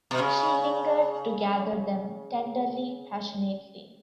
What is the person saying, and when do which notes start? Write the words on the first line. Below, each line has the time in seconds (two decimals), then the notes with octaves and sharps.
She lingered to gather them, tenderly, passionately.
0.11 B2
0.19 C#3